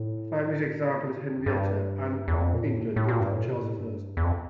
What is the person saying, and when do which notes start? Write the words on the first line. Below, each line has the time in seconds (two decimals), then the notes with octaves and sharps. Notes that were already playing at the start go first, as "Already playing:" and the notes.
A famous example is Henrietta Anne of England, daughter of Charles the First.
Already playing: A2
1.37 F2
1.46 G2
2.28 E2
2.39 F2
2.54 A#2
2.62 A2
2.96 A2
3.09 A#2
3.20 G2
3.32 A2
3.43 A#2
3.48 C3
3.62 A2
3.78 G2
4.17 E2
4.24 F2